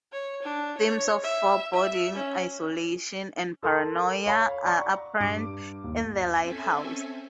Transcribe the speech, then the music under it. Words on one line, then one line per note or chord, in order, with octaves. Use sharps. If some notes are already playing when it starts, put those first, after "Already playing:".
Themes of foreboding, isolation and paranoia are apparent in "The Light-House".
C#5
D4
C#5
E5
E5
C#4
A4 A#4 A5 C6 D#6
C#5 F5 B5
D5 F#5 A#5 B5 C#6
G2 D6 D7
D#2
C4 C#4 A4 E5 G#5